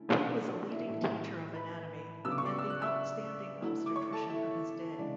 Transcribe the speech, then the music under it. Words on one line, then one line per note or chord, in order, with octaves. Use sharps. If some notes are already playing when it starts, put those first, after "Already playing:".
He was a leading teacher of anatomy, and the outstanding obstetrician of his day.
Already playing: D3 A3 C#4 E4
D4 D5
E4 E5
A2 E3 A3 D4 E4 E5
B4 B5
C#3 F#3 B3 D4 E6
D6
C#6
D5 D6
E6
F#6
E5 E6
D3 A3 E4
D6
C#5 C#6
A4 A5
E4 E5
C#3 E3 G#3 D4 D5